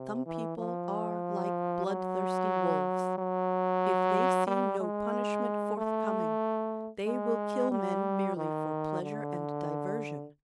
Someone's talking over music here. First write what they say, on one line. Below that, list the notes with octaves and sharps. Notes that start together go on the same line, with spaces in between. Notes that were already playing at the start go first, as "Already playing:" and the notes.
Some people are like bloodthirsty wolves: if they see no punishment forthcoming, they will kill men merely for pleasure and diversion.
Already playing: C3
E3
F3
F#3
F#3
G3
G#3
A3
G#3
G3
D#3
D3